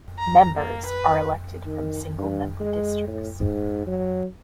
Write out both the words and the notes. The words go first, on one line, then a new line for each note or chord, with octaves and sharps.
Members are elected from single-member districts.
A#5
A#3
B4
D#3
G2
G#3
A2
G#2
F#3